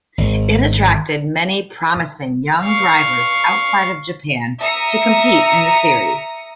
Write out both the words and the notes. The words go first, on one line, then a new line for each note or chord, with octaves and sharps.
It attracted many promising young drivers outside of Japan to compete in the series.
G#1
F5 C#6
E5 A#5 D#6 A#6 C#7